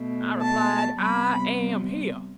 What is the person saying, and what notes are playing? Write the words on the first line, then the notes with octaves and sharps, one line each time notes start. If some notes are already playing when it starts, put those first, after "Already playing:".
I replied, "I am here."
Already playing: B2 A3
A5
C3 G3 B3 B5